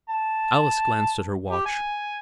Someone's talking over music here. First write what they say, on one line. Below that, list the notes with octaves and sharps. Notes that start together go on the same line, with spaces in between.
Alice glanced at her watch.
A5
G4
G#5